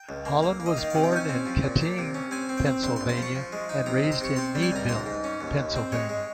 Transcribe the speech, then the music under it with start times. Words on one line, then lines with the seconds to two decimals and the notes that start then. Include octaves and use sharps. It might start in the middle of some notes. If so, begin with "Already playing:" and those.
Holland was born in Kittanning, Pennsylvania and raised in Meadville, Pennsylvania.
Already playing: G5
0.09 C#2
0.25 A#3
0.43 A#3
0.60 A#3
0.66 D#5
0.77 D#3 F5
0.90 F5
0.95 C3
1.04 G5
1.12 C#4 G#5
1.29 C4
1.46 F3
1.63 A#2
1.81 A#3
1.98 C3
2.14 C#4
2.31 C4 G#5
2.49 C4
2.57 G5
2.66 C4
2.83 A#1 C6
2.96 C6
3.01 A#1
3.09 C6
3.17 F3
3.22 C#6
3.35 F3
3.52 G#3
3.69 D#4
3.86 C3 A#5
4.04 C3
4.12 C6
4.21 C3 C#6
4.36 C4 C6
4.55 G3
4.62 G#5
4.72 C#2 A#5
4.89 G#2 C6
5.06 G#2
5.24 C#4
5.41 D#2
5.57 D#2
5.76 C4
5.92 G#3 C#5
6.09 G#3